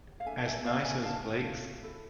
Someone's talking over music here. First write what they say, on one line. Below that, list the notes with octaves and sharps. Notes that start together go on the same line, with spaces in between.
As nice as Blake's?
F5
D4 A4 E5 G#5
A5
E5 G#5
D5 F5
E5 G#5
F5 A5
E4 A4